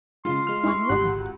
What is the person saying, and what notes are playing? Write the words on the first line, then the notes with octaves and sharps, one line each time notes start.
One woman.
C#3 G#3 F4 C6
G#3 F6
E4 C#6
G#1 C#2 F#4 G4 F#6